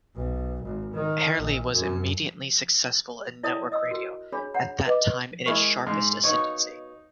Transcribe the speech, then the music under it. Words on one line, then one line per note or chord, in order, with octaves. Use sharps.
Herlihy was immediately successful in network radio, at that time in its sharpest ascendancy.
B1
G#1
D#3
A#1
F#2
E4 C#5 D5 E5 A5 D#6
D#5 D#6 E6
F#4 A#4
D4 G#4 C#5 B5
C#5 F#5 A#5
B4 D#5 D6
G#3 A#3 E4 A#4 C#6
G#2
B2 A#3 D#4 C#5